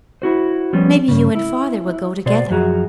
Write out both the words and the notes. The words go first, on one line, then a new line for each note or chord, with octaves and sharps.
May be you and father will go together.
E4 F#4 C5
F3 G3 B3 C#4
G2 C#3
E4
B2 C5 D5
F#2 F3 F#4 G#4 A#5